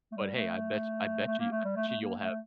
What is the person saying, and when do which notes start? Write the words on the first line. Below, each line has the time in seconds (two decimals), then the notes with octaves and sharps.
But hey, I bet I bet you I bet you you'll have
0.12 A3
0.16 G3
0.35 A3
1.27 A3
1.39 A#3
1.52 A3
1.65 G3
1.77 A3
1.88 A3
2.01 A#3
2.20 A3